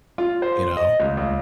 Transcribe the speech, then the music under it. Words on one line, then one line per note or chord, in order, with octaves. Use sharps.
you know?
F4
C5
D#5
C#2
C#2